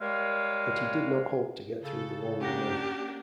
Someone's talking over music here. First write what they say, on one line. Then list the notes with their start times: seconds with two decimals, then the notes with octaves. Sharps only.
But he did not hope to get through the wall of men.
0.01 G3 G#3 A#4 C#5 F5
1.83 C#3 A4
2.41 A#3 C#4 D4 G4 F#5 A#6